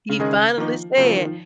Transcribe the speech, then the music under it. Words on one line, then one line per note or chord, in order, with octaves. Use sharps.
He finally said,
C#3
D#3 G#3 C#4 G#4 D#5
D#3 F3 A#3 D#4
C#3 F#3 A#3 F4 C5
F3
D#3
F3